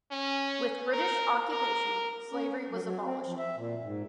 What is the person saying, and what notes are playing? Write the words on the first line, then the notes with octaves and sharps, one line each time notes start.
With British occupation, slavery was abolished.
C#4
A#4
A#4
C#4
F#3
F#3
C4
F3
E5
A#2
G#2